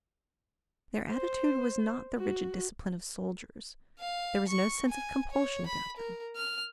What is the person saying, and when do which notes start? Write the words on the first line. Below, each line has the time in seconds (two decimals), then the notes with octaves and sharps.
Their attitude was not the rigid discipline of soldiers; there was no sense of compulsion about them.
1.10 C5
2.17 F#4
3.99 F5
4.48 C#6
4.89 G#5
5.31 C#5
5.66 B5
5.97 A#4
6.36 F6